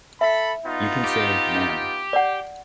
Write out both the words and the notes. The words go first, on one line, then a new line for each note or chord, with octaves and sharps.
You can say: “Ma’am”.
A4 E5 B5
B3 D#4 F4
G4
D5 F#5